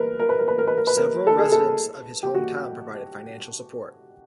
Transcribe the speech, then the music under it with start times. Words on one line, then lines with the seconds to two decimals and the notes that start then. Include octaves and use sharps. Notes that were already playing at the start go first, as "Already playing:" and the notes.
Several residents of his hometown provided financial support.
Already playing: A#4 B4
0.19 A#4
0.29 B4
0.39 A#4
0.48 B4
0.58 A#4
0.67 B4
0.77 A#4
0.87 B4
0.97 A#4
1.27 A4
1.39 G#4
1.52 A4
2.23 G4
2.35 F#4